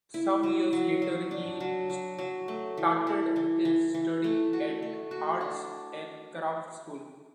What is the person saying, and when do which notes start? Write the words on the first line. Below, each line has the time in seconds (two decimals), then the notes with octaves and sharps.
Some years later he started his studies at Arts and Crafts School.
0.14 E4
0.43 F#3
0.73 F#3
1.02 F#3
1.31 D4
1.60 F#3
1.90 F#3
2.19 F#3
2.48 A3
2.77 E3
3.07 E4
3.36 E3
3.65 E3
3.94 E3
4.24 A3
4.53 F#4
4.82 A3
5.11 F#4
5.41 D4